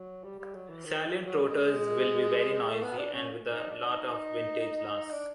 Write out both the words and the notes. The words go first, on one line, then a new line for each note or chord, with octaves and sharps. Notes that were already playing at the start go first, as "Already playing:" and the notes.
Salient rotors will be very noisy and with a lot of windage loss.
Already playing: F#3
G3
G3
F#3
E3
D#3
F3
F#3
G3
G#3
A3
B3
D4
C#4
D#4
D4
D#4
D4